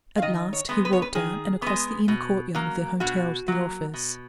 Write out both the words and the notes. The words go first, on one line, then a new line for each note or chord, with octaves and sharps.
At last he walked out and across the inner courtyard of the hotel to the office.
F5
D#3 D#5
C#5
G#3 B3
B4
C#5
B4
D#3 G#4
G#3 B3
B2
F#3 A#3
B2 F#4
F#3 A#3
B2